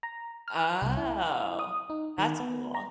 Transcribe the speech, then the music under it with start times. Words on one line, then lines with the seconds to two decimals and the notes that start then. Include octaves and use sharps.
Oh, that's cool.
0.03 A#5
0.48 F6
0.82 C2
0.97 E4
1.59 D#6
1.90 D#4
2.18 D#3
2.40 B3
2.75 A#5